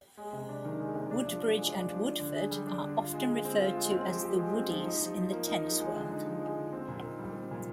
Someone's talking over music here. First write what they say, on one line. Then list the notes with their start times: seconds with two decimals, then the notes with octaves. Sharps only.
Woodbridge and Woodforde are often referred to as "The Woodies" in the tennis world.
0.17 G#3
0.33 C3
0.49 D4
0.64 D#3
0.80 G#3
0.95 C3
1.11 D4
1.27 F3
1.42 F3
1.57 G#3
1.73 D4
1.89 F3
2.05 D4
2.20 D3
2.36 G#4
2.51 G3
2.67 D4
2.82 D3
2.98 F4
3.13 G#3
3.29 G#4
3.45 C4
3.60 F4
3.77 G#3
3.91 C4
4.07 F3
4.22 G4
4.38 G#3
4.54 C4
4.70 F3
4.85 D#4
5.01 F3
5.16 F3
5.32 A#3
5.48 D#4
5.64 F3
5.79 G#3
5.94 D3
6.11 D#4
6.25 F3
6.42 G#3
6.57 D3
6.73 C4
6.88 A#2
7.04 D#4
7.19 G3
7.35 C4
7.51 A#2